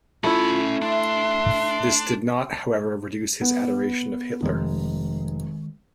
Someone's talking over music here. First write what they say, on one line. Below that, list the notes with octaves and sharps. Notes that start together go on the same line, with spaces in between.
This did not, however, reduce his adoration of Hitler.
A3 C#4 E4 F4 B5
D4 E5 C6
B3
F1 D#3 G#3